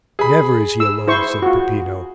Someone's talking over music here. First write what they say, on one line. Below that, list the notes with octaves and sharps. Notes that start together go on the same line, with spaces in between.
"Never is he alone," said Peppino.
G#4 B5
E6
E4 C5 C#6
F4 F#4